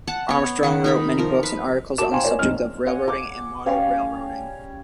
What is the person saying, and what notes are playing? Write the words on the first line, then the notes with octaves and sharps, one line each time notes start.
Armstrong wrote many books and articles on the subject of railroading and model railroading.
F#5 A5
B3 C#5
D#3 F#5
D#4 A#4 B5
F3 A#4
B4
F#4 A#4 A5 D6 E7
C5 F5 G5 G#5 A#5 C6
A#4 C#5 D5 G#5
A#1 C4 D#4 F6
C#5 D#5 F#5 G#5
D6
G3 C#4 F5